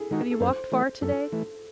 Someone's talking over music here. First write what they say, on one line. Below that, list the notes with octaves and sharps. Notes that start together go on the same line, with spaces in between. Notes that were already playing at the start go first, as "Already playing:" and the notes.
"Have you walked far to-day?"
Already playing: E4 G#4 A4
D#3 G#3 D#4 F#4
A4
F#2 C5
E3 A3
F#2 A4
E3 A3